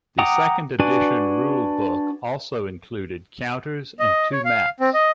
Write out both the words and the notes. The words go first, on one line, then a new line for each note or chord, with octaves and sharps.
The second edition rulebook also included counters and two maps.
F#5 G5 A#5 D6 D#6
D4 F#4 B4 D5 G#5
D#5
C#5
F5
C4
D#5